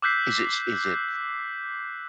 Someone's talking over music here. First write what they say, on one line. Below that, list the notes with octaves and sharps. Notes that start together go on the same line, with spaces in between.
Is it s is it,
D6 E6 F#6 G6 B6 C7